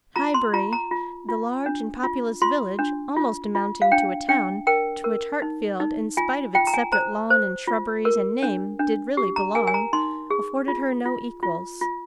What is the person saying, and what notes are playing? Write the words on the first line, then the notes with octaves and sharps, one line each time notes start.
Highbury, the large and populous village, almost amounting to a town, to which Hartfield, in spite of its separate lawn, and shrubberies, and name, did really belong, afforded her no equals.
F4 A#5
C6
F4 A#5
A#5
F4
F4
D4
F4
F4 C6
D4
F4
F4
F5
D4 G5
D4 G5
A#4 G5
A#4
D#4
D#4
F4 G#5
F4 G5
A#5
G#5
C5 A#5
C5
F4
A#4
D4
D4
G4
A#5
A#4 G#5
G#5
A#5
D#4 C6
G#4
F4
F4
F4
F4